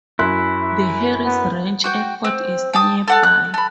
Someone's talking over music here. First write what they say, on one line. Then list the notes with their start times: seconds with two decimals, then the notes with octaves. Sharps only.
The Harris Ranch Airport is nearby.
0.19 F#2 E4 C6 F#6
1.25 B3
1.84 F#4 G5
2.24 C4
2.73 G5 A5 D#6
3.08 A4 F#5 A5
3.23 F#6
3.54 A4 B5